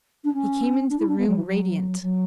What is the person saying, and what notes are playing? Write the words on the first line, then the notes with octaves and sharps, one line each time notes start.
He came into the room radiant.
D4
C#4
D4
E4
D4
B3
F#3
E3
F#3
F#3